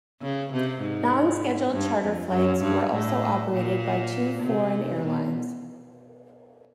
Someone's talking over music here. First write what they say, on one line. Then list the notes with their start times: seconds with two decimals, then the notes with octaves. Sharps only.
Non-scheduled charter flights were also operated by two foreign airlines.
0.22 C#3
0.53 C3
0.82 G#2
1.72 G2
2.03 F2
2.32 F#2
2.63 G2
2.93 A2
3.53 A#2
4.42 C3
5.03 B2